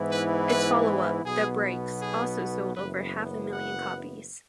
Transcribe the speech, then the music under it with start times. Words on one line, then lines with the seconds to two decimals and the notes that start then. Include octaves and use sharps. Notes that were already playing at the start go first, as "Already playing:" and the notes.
Its follow-up, "The Breaks", also sold over half a million copies.
Already playing: G#2 E3 B3 E4
0.10 B4
0.48 B4
1.23 B1 B2 B3 G#4
1.99 G#4
2.75 F#1 F#2 E3 B3 B4
3.51 F#5